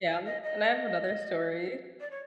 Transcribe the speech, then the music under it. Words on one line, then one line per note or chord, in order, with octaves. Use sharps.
Yeah. And I have another story of
F5
D#5
D#5
D5
C#5